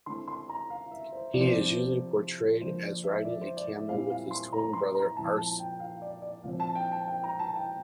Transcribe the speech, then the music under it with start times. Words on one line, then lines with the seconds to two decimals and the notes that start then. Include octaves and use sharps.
He is usually portrayed as riding a camel with his twin brother Arsu.
0.06 D3 A3 C4 E4 C6
0.28 C6
0.49 A#5
0.70 F5
0.91 E5
1.13 C5
1.34 C3 F3 C4 E4 D5
1.41 C5
1.48 D5
2.61 D3 F3 A#3 C5
2.83 D5
3.04 E5
3.25 D5
3.41 C5
3.57 D5
3.73 E5
3.89 A#2 G3 C4 E4 F5
4.10 F5
4.31 C6
4.53 A#5
4.73 C6
4.95 A#5
5.16 A#2 F3 C4 E4 A5
5.37 A5
5.59 G5
5.80 F5
6.02 D5
6.22 D5
6.44 A#2 F3 C4 F5
6.60 A5
6.75 G5
6.91 A5
7.08 G5
7.24 A#5
7.39 A5
7.55 G5